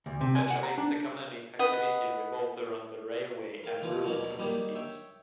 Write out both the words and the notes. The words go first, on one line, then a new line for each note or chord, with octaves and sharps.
Much of its economic activity revolved around the railway and rural communities.
D2
C3
G#5
F#5
A#5
D4
B4 D#5 F#5
A#4 F5 G5
D#2 E3 F3 C4 F5
D#2 B2 F#3 D4 A#4 C#5
D#3 F#3 G3 A#3 D#4 G4
C#5 E5 G5